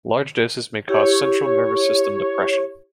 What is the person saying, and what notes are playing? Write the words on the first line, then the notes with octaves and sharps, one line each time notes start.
Large doses may cause central nervous system depression.
E4 G4 C#5